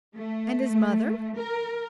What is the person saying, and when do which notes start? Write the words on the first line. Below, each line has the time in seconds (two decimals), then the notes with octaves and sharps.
"And his mother?"
0.17 A3
1.38 A#4